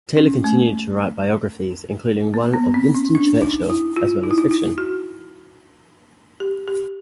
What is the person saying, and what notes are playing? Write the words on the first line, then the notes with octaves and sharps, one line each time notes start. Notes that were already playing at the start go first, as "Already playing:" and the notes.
Taylor continued to write biographies, including one of Winston Churchill, as well as fiction.
C#4
A3
A#3
B3
C4
C#4
D4
D#4
E4
F4
D#4
E4
D#4
E4
F#4
G4
G4